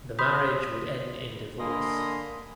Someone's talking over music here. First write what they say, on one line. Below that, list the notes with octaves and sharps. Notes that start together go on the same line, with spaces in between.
The marriage would end in divorce.
B5 C6 D#6 G6 B6
D3 A#3 D#5 G#5 B5 C6